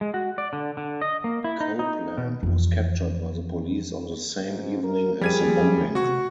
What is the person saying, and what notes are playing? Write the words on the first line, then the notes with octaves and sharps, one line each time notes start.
Copeland was captured by the police on the same evening as the bombing.
G#3
F#4
D5
D3
D3
D#5
A#3
E4
D#4
D#4
B2
F2 E3
G#2
A#4
F3 G3 G#4 G#6 D#7
C3 F#4 C#6